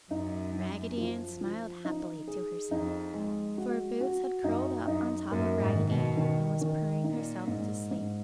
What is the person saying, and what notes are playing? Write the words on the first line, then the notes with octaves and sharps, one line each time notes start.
Raggedy Ann smiled happily to herself, for Boots had curled up on top of Raggedy Ann and was purring herself to sleep.
F#2 D#4
D#4
F3
F3
D#4
G#4
F2 D#4
G#3
F#4
F#4
F#2 D#4
F#2 D#4
F#2 A#3
G#2
D#3
B2
D#3
D#3
A#2 D#4
G#2
G#2